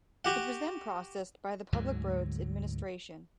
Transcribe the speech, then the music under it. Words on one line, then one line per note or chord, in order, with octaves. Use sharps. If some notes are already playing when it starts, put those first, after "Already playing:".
It was then processed by the Public Roads Administration.
F#4 G4 F#5
D2 G#2 D3 F#3